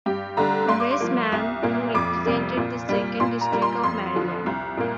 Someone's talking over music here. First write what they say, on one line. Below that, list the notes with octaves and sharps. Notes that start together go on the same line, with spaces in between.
Congressman who represented the second district of Maryland.
G2 G4
D3 G3 A#5
G2 C6
D6
C6
F3 A#3
C2
A#2 A#3
F2 D6
C3 G3 A#3
A#2
G3 A#3
A#2 C6
A#5
G3 A#3
C6
F2 C6
D3 F3
C2
A#2 A#3